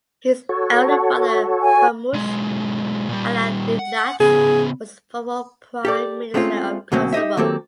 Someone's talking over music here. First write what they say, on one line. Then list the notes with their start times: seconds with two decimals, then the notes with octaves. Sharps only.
His elder brother Ramush Haradinaj was former Prime Minister of Kosovo.
0.49 F#4 A4 C#5
1.62 G#5
2.13 B1 G#3
3.09 A#2 G3
3.79 F#5
4.20 C#3 B3 G#4
5.85 G4 A4 D5
6.34 G#3 A3 C4 C#4 F4
6.92 D2 B2 F#3 A#3 C4 C#4
7.13 D#4 G4 D#5 E5
7.37 D#3 F#3 A#3 C4 G4 A4